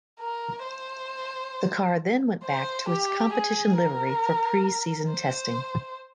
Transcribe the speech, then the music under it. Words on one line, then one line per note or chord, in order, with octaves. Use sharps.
The car then went back to its competition livery for pre season testing.
A#4
C5
C5
G4
G#4
A#4
C5